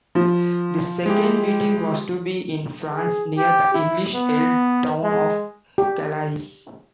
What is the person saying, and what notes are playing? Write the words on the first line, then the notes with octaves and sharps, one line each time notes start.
This second meeting was to be in France, near the English-held town of Calais.
F3
G#3 E4 G4
G#4
G4
E4
B3
G#3
G4